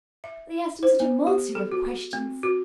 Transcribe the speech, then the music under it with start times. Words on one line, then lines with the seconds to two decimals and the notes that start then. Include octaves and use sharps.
They asked him such a multitude of questions!
0.24 E5
0.83 C5
1.00 B3
1.27 G4
1.55 A4
1.72 F#4
2.13 C4
2.43 F#4